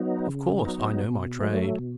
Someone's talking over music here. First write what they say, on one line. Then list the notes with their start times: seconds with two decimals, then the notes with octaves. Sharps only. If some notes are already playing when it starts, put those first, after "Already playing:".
Of course I know my trade.
Already playing: F#3 B3 D#4
0.27 C#3
0.65 F#3 B3 D#4
1.03 B2
1.41 F#3 A3
1.79 B2